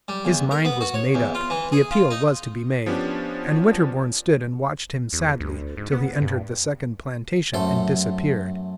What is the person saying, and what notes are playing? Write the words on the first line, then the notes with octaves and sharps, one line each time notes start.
His mind was made up, the appeal was to be made; and Winterborne stood and watched him sadly till he entered the second plantation and disappeared.
G3
E2
A#4
B3
F#4
C#5
E2
F4
E3
G#4
F4
D#4
F3 B3 C#4 D4 G4
E2
D2
G#2
B3
G2
F#2 A3 A4 C5 C6